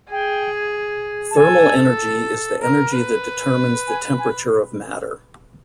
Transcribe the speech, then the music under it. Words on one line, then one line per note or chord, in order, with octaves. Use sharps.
Thermal energy is the energy that determines the temperature of matter.
G#4 G5
A5
A4 G#5
A#4
B4
G#5
G#5